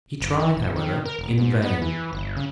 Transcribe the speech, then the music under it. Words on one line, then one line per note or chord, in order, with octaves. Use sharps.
He tried, however, in vain.
F#1
E3
D#1
D#3
A#4
E1
G#2
B3
E3
G1
C#3